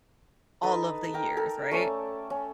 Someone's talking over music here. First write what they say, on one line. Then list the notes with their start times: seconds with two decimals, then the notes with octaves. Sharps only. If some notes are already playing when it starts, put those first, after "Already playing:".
all of the years, right,
0.63 D#4 A4 B4
1.14 A#4 G5
1.37 A4 A#4
1.71 A3 C#4 D5 A5
2.30 C#4